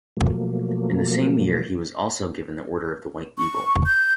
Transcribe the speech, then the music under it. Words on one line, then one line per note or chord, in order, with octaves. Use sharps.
In the same year he was also given the Order of the White Eagle.
B2 F3 F#3 A3 A#3
C#6
G6